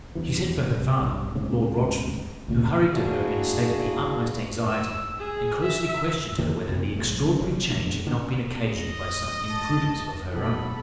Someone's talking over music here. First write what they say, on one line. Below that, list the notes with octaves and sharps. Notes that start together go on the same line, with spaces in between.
She sent for her father, Lord Rochford, who hurried to her in a state of the utmost anxiety, and closely questioned her whether the extraordinary change had not been occasioned by some imprudence of her own.
E2 G2 E3
C2 C3
B1 G2
D1 G#2 C#3 C4
D2 A#2 C#3
A#3 D4 E4 F#4 G#4 F5
E6
G#4
E5
D#3 F3 A#3
C2 F2 A#2
A#1 A3
F1 G3
D#1 E2 D4
D2 D3 C#4
D#5
A5
B1 B2 A4 B5